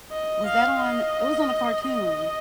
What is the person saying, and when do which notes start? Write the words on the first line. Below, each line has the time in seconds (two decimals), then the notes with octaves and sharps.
Was that on it was on a cartoon.
0.12 D#5
0.47 F5
0.81 D#5
1.86 D#5